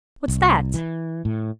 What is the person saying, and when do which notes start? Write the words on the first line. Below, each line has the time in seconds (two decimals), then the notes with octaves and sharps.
"What's that?"
0.28 C2
0.74 E3
1.25 A2